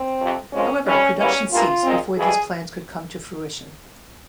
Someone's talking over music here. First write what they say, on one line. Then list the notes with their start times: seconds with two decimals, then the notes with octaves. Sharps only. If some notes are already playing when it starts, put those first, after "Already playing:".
However, production ceased before these plans could come to fruition.
Already playing: C4
0.20 F2 C3 F3
0.53 A#2 F3 G#3 C4 C#4
0.85 F2 C3 G3 C#4
1.18 E2 E3 G3 A#3 C#4
1.51 G2 E3 A#3 F4
1.84 A#2 G#3 C4
2.16 F2 E3 G3 G#4